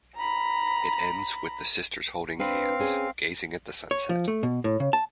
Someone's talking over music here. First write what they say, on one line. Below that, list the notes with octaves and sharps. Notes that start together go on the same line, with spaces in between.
It ends with the sisters holding hands, gazing at the sunset.
A#5 B5
C4 D4 B4 F5
C#4 G#4
C#5
F3
A3
B2
A2
C#3
A5